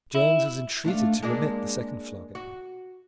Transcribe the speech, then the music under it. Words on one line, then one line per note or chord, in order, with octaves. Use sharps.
James was entreated to remit the second flogging.
E4
A3 D4 F4
G#3 A#3 D4
F#4